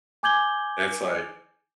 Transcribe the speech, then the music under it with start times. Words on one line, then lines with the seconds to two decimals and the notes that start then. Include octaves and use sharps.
It's, like,
0.23 G#5 D6 G6 G#6 F#7 G7